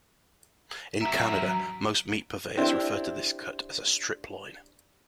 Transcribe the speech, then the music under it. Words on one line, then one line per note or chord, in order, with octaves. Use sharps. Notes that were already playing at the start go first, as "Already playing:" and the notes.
In Canada, most meat purveyors refer to this cut as a strip loin.
F#3 E5 A#5
C4 D4 E4 G4